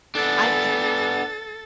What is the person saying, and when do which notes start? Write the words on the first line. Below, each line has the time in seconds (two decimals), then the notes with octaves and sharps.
I didn't
0.15 B3 D4 A4 A6